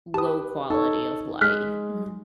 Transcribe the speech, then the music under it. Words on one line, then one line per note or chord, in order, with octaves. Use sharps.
low quality of life mhm.
G4 B4 A5 D#6
D#4 A4 C#5
G#3 F6 F#6 B6